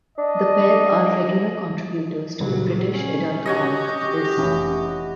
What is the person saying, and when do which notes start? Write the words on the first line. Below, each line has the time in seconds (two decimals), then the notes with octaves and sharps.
The pair are regular contributors to the British adult comic "Viz".
0.18 D4 D#5
2.40 A#2 C#3 F#3 G3
2.93 C#4
3.46 F#4 G4 C#5 D#5
4.37 F1 E3 C#4 E4